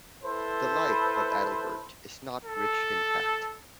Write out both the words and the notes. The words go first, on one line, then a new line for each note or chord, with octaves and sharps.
The "Life" of Adalbert is not rich in fact.
E4 A4 B4 C5
A4